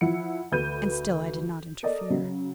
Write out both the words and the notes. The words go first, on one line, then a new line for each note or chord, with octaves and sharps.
And still I did not interfere.
F3 E4 F#5 C#7
D2 B4 G6 D#7
A4 A#4 D5 D#5
C#3 F#3